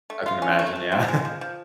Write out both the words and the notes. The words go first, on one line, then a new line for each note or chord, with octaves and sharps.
I can imagine, yeah.
A3
F4
C#4
A3
A3
C4
G#3
F3
F3